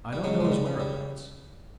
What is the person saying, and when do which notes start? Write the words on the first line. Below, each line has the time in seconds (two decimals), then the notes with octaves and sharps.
I don't know his whereabouts.
0.13 G3
0.24 C#3 F#3 G#3
0.40 C#3 G#3
0.52 G3
0.66 C#3
0.80 G3